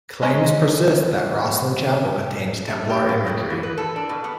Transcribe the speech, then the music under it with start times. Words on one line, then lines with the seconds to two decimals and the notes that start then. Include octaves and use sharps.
Claims persist that Rosslyn Chapel contains Templar imagery.
0.22 G#3 C#4 C5 D#5 A#5
2.68 A3
2.90 G4
3.09 A#3
3.27 C#3
3.50 E3
3.63 B4
3.78 A4
3.96 D4
4.09 B2
4.24 B3